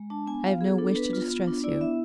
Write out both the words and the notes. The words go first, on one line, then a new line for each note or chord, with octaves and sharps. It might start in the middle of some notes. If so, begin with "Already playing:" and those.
I have no wish to distress you.
Already playing: G#3
D4 A5
B3 G#5
F4 F5
B3 G#4
D4 A4
B3 B4
F4
B3
D4
E4 D5
B3 E5